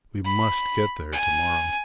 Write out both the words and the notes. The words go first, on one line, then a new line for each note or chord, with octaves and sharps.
We must get there to-morrow.
B5
G#5